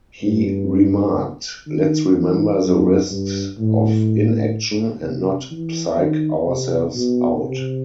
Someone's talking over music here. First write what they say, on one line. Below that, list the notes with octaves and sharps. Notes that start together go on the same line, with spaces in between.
He remarked, let's remember the risks of inaction - and not psych ourselves out.
G2
D#3
E3
F#2
G2
A2
C3
E3
D#3
C3
B2
C3